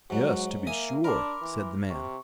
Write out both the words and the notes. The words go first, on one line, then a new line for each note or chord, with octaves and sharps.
'Yes, to be sure', said the man.
G#2 F#3 F#4
A#3 E5 G#5 D#6
D4 A#4 B5 C6 D6
E3
C3 C#6